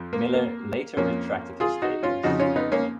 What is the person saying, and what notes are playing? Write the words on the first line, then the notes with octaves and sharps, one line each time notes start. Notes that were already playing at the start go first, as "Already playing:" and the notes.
Miller later retracted his statements.
Already playing: F2 F3
A#3
A#3
F2 F3 A#3 C#4
F4 G#4
D#4 F#4
C#4 F4
F2 C#3 F3 D#4 F#4
C#4 F4
B3 D#4
A#3 C#4